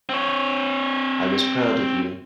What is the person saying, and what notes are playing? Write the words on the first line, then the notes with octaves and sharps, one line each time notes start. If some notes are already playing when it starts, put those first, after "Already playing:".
I was proud of you.
C4 C#5